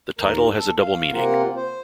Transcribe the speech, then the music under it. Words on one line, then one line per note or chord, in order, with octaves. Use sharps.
The title has a double meaning.
D#2 A#4
A4
F5
C3 A#3 C4 F4 A#4 F#5
C5